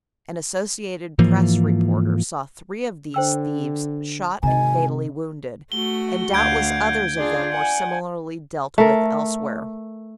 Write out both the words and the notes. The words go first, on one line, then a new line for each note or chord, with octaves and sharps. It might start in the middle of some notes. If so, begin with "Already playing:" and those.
An associated Press reporter saw three of these thieves shot and fatally wounded, and doubtless others of them were similarly dealt with elsewhere.
G#2 E3 F3 A#3
D3 C5 G5 E6
G#1 C3 D#5 G#5 A#5
A3 F#4 G7
D2 F5 F#5 G6 G#6 D7
D4 F4 G#4
F#5 G#5
A3 A#4